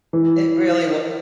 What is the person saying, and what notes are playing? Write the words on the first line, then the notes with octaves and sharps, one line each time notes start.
It really was.
E3